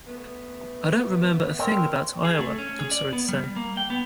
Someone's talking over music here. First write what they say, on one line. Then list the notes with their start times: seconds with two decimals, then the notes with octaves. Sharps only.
I don't remember a thing about Iowa, I'm sorry to say.
0.06 A3 B3
1.59 A#3 C4 F#4 A#4
2.25 G#4
2.39 A3
2.58 C#4
2.79 G#4
2.91 D5
3.13 B3
3.29 G3
3.56 A#3
3.77 G5
3.90 B3